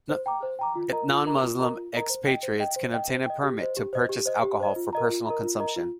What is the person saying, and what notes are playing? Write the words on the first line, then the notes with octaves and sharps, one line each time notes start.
Non-Muslim expatriates can obtain a permit to purchase alcohol for personal consumption.
C5
G5 A#5 D6
C5
G5 A#5 D6
F4
A#4 D#5 A#5
F4
A#4 D#5 A#5
F4
A#4 D#5 A#5
F4
A#4 D#5 A#5
C5
D#5 G5
C5
D#5 G5
C5
D#5 G5
C5
D#5 G5
G4
C5 D#5
G4
C5 D#5
G4
C5 D#5
G4
C5 D#5
F4
A#4 D#5 A#5
F4
A#4 D#5 A#5
F4
A#4 D#5 A#5
F4